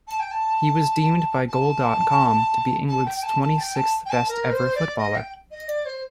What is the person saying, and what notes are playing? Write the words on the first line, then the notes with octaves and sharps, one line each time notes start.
He was deemed by Goal dot com to be England's twenty-sixth best ever footballer.
A5
G5
A5
A5
A5
G5
G5
A5
A5
G5
A5
G5
A5
A#4
C5
D5
D#5
G5
D#5
D5
C5